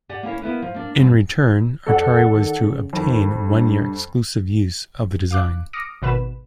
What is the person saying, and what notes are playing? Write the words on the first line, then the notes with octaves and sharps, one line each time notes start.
In return Atari was to obtain one-year exclusive use of the design.
G4 D5 F#5 G#5
A#3 C#4 E4 C#5
A#3 B3 E4 B4
F3
A#3 D4
G2 B2 C4
F2 A4 D5 F#5
D#3
C#3
F2 D#3
G2
F5 D6 F#6
D6 D#6 F6 A#6 C#7 D7
G#1 B2 B4 E7